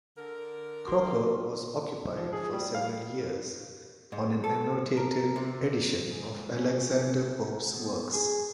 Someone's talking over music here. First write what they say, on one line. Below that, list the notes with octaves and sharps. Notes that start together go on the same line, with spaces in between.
Croker was occupied for several years on an annotated edition of Alexander Pope's works.
D3 A#4
F#4 C6
G3 A3 A#4
F3
G#4
G3
F5
G#2
A4
A#4
C3
G#2
C#4
B2
G#4